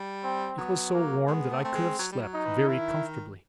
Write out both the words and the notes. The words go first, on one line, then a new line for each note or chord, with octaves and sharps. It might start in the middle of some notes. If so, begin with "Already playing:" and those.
It was so warm that I could have slept very comfortably.
Already playing: G3
C4
F#3 B3
A#3
G#3 B3
A3
A3 C4
G#3
F#3
G3
F#3
D#4
E3
D3
D#3 E4